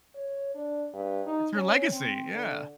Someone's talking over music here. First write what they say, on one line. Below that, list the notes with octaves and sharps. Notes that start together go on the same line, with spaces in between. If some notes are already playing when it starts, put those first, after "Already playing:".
It's her legacy, yeah.
C#5
D4
G2
D#4
C#4
C4
D3